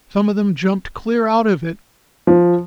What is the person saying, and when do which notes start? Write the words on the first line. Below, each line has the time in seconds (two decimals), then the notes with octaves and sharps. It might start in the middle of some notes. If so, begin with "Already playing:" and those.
Some of them jumped clear out of it.
2.27 F3